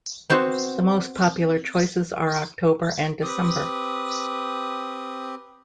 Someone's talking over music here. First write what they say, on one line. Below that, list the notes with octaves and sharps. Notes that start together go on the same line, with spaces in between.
The most popular choices are October and December.
B3 C4 F#4 C5
C4 G4 B4 D#6